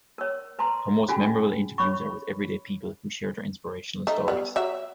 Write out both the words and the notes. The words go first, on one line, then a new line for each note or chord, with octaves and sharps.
Her most memorable interviews are with everyday people who share their inspirational stories.
A#4 C#5
B4 A5 A#5 C6
C#4 F4 F#4 G#4 G#5
C#5 B5 C#6
A3 D#4
G3 B3
F#3 E5